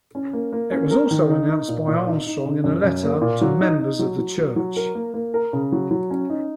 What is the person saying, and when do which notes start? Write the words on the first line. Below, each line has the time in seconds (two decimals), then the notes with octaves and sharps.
It was also announced by Armstrong in a letter to members of the church.
0.15 C#4
0.33 A#3
0.53 A#3
0.72 C#4
0.91 A#4
1.11 D#3
1.29 D#4
1.48 D#4
1.68 A#2
1.88 A#2
2.07 D#4
2.27 D#4
2.45 C#3
2.64 F#2
2.83 F#2
3.03 A#3
3.22 A#2
3.41 F#3
3.61 D#4
3.79 D#4
3.99 F#3
4.18 F#3
4.38 F#3
4.56 F#3
4.76 A#4
4.95 A#3
5.14 A#3
5.34 A#4
5.53 C#3
5.72 F#3
5.91 F#3
6.11 C#4
6.30 D#4